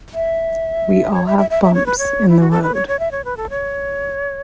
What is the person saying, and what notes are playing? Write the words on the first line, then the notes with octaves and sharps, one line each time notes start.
We all have bumps in the road.
E5
C#5
E5
E5
E5
E5
C#5
B4
C#5
E4
F#4
A4
B4
C#5
C#5
E5
C#5
B4
A4
C#5